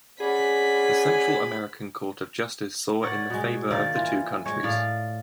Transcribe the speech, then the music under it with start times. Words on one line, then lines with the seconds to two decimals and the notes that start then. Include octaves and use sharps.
The Central American Court of Justice saw in the favor of the two countries.
0.21 C#4 G#4 D5 F#5 B5
3.02 A#4 C#5 D5 F#5
3.30 B2 G#3
3.70 D#3 A#3 A#4 D5
3.94 E3 F4
4.46 G#3 C#5
4.63 A2 D5 F5